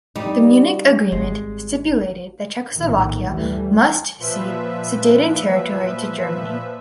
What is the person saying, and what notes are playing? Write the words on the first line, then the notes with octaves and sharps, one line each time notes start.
The Munich Agreement stipulated that Czechoslovakia must cede Sudeten territory to Germany.
G3 D#4
G#1 G#3
A#1 A2 D#3
D2 E3 G3 A3
A#2 F3 B4 E5